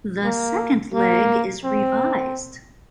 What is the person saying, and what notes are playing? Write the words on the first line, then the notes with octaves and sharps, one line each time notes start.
The second leg is revised.
A#3
A#3
C4